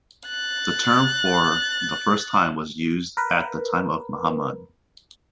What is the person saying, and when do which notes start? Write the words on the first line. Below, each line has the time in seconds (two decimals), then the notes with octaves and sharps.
The term for the first time was used at the time of Muhammad.
0.27 F#6 A6
3.17 A#4 B4